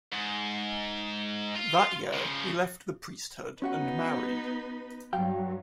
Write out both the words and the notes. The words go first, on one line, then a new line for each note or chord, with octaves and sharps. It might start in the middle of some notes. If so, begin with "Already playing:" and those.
That year, he left the priesthood and married.
G#2
F4
C#3 F3
B3 C#4 D#4 F#4 B4 F#5
G2 F#3 F5 G5